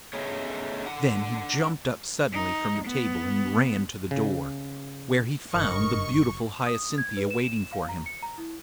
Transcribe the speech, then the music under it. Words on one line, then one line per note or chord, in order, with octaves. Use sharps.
Then he jumped up suddenly from the table and ran to the door, where he found the beautiful Hyacinthia waiting for him.
A3 B3 C#4 D#4 G#4 C#5
D4 F#5
D#4
B3
C#3
F#1 G2 D#4 A#4 D#5 C#6
D#6
G#6
B4
E7
E7
F5
A#5
C#7
A#5
E4